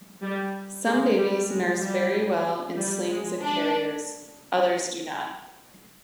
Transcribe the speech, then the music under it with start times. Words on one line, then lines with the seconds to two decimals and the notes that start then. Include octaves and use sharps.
Some babies nurse very well in slings and carriers, others do not.
0.23 G3
0.86 G#3
1.18 G3
1.50 G#3
1.82 G3
2.77 G3
3.09 G#3
3.41 D4